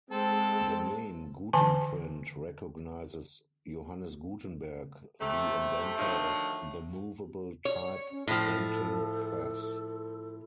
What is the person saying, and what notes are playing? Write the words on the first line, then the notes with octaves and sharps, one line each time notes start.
The name Gutenprint recognizes Johannes Gutenberg, the inventor of the movable type printing press.
G#3 C4 A4 A5
D3 E3 G#5 A5
C3 A3
D3 D#3 F3 F#3 A3
C#5
C#4
A2 F3 A4